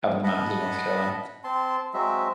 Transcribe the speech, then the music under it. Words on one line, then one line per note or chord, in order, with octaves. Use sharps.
up in the mountains in North Carolina.
D#5 F#5 A5 B5
C4 A5 C6
F#3 G#3 C4 E5